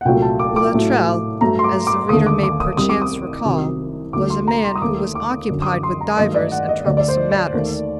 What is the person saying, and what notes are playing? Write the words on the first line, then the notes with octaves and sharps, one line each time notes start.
Boulatruelle, as the reader may, perchance, recall, was a man who was occupied with divers and troublesome matters.
F#5
C2 A#2 F#3 A3 G5
A5
D6
D6
A2 F#3 A3
G2 F#3 A3 A#5
C6
D6
D6
D#2 D3 A3 D#6
D6
D6
D#6
C2 C3 G3 D#6
D6
D#6
C2 C3 D#3 F#3
D2 D3 F#3 A3 D6
C6
A#5
C6
D#6
D#2 D#3 A3 D6
D6
F#2 D3 F#3
D#6
D6
C6
A#5
G2 D#3 F#3 A3 D#5
D5
F#5
D#5
D2 D3 A3 D5
D5
C5
D5
D#2 D#3 A3